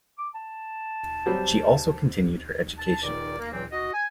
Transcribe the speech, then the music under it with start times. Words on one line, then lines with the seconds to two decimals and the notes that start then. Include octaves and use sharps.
She also continued her education.
0.18 D6
0.35 A5
1.26 F#3 G3 C4
2.78 A5
3.02 C#2 A#2 D#3 D#4 D5
3.38 A#3
3.52 C#2 A#2 E3 F#3 C4 G5
3.71 F#4 D#5
3.93 G#5